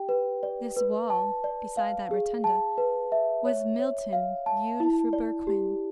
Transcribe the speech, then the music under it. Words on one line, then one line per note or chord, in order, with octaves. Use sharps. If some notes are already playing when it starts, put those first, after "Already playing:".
This wall, beside that rotunda, was Milton viewed through Berquin.
Already playing: G4 G5
B4
D5
B4
A5
D5
F5
G#4
A5
B4
E5
C#5
C#5
F5
A5
E4
D5
G4